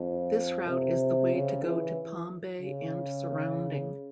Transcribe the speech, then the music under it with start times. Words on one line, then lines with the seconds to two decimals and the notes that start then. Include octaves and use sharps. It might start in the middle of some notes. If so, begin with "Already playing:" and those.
This route is the way to go to Palm Bay and surrounding.
Already playing: F2
0.68 C3
1.33 C#3
1.65 E3
2.61 C#3